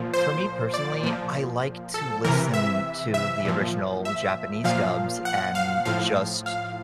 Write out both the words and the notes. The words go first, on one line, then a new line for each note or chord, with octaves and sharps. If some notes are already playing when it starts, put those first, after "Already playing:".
for me, personally, I like to listen to the original Japanese dubs and just
Already playing: A#2 F3
C5
D5
A#2 F3
A4
C3 E3 A#4
E5
E5
A#2 F3
E5
A#2 F3 F5
F#5
F5
A2 F3 F5
F5